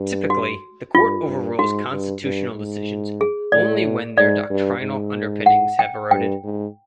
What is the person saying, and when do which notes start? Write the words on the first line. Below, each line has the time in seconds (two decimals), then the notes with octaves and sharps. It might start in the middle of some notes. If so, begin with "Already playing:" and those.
Typically, the Court overrules constitutional decisions only when their doctrinal underpinnings have eroded.
Already playing: G2
0.30 F#4
0.95 G2 F4
1.27 G2
1.59 G#2 F#4
1.91 G2
2.23 G2
2.55 G#2
3.21 G#4
3.52 A2 D5
4.17 G#2 D5
4.50 G2
4.82 G#2
5.46 F#5
5.79 G5
6.11 G2 G5
6.43 G#2